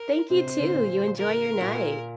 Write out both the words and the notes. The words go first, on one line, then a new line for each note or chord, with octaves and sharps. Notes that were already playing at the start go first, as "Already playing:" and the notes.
Thank you, too, you enjoy your night.
Already playing: A#4
C3 C5
C3
D3
A#2
A#4
A#2